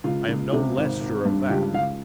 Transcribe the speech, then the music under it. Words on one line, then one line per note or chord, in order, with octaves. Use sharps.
I am no less sure of that.
C#2 F4
C#2
C3
G#1
G#1
G2
C#2 G4
C#2 F5